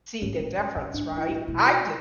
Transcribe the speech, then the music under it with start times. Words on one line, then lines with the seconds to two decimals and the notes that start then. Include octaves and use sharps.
see the difference, right? I didn't.
0.22 G#2 C#4
0.40 A2
0.58 G#2
0.76 F#2
0.94 G#2 D4
1.12 G#2
1.18 E4
1.30 A2
1.41 E4
1.48 B2
1.67 F#4